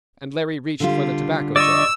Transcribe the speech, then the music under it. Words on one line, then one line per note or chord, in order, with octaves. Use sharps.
And Larry reached for the tobacco jar.
D3 G3 F4
D5 D#5 C#6 E6